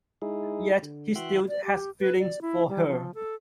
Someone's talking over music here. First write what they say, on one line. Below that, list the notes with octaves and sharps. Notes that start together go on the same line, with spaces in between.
Yet, he still has feelings for her.
G#3 D#4 E4 G#4
D3
E3 F#4 E5 G5 C6 F#6
D5
G4
B4
D5
E4
G3
F3
A4